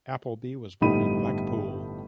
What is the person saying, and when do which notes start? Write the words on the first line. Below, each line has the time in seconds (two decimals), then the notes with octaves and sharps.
Appleby was born in Blackpool.
0.81 G1 A2 G3 D#4 B5 D#7